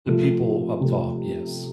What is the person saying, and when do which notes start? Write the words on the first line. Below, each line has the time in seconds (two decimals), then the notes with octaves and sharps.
The people up top, yes.
0.06 C3 F3 A3
0.80 C3 F3 A3